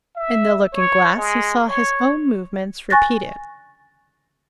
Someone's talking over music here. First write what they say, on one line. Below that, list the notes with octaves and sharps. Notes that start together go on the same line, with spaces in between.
In the looking-glass he saw his own movements repeated.
E5
C#5
G#3
C#5
G#5 C#6 F#6 A6 A#6